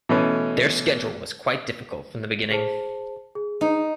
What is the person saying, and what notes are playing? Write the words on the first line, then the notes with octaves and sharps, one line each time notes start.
Their schedule was quite difficult from the beginning.
B2 E3 A3 C#4
G#4 C5 A5
G#4
D#4